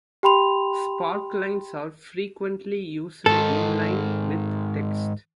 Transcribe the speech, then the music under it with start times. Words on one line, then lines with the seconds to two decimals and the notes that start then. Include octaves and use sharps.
Sparklines are frequently used in line with text.
0.23 G4 G5 B5 C6 F7
3.26 G#2 D#3 A4